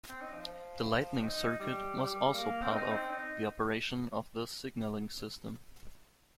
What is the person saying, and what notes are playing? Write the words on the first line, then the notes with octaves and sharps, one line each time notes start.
The lighting circuit was also part of the operation of the signalling system.
C4
D#4
F3
C4
D#4
G3
G3
A#3
C4
D#4
C4
D#4